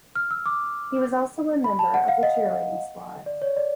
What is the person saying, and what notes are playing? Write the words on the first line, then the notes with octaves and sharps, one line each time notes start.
He was also a member of the cheerleading squad.
F6
E6
D6
B5
A5
F#5
F5
D#5
D5
C#5
D5